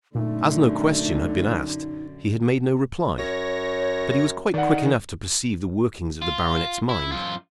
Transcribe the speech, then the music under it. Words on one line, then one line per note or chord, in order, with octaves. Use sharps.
As no question had been asked he had made no reply, but he was quite quick enough to perceive the working of the Baronet's mind.
F#2 A#2 D3 A3 D#4
F#2 C#5 A#6
D#3 D5 F#5
F4
E4
F#2 F4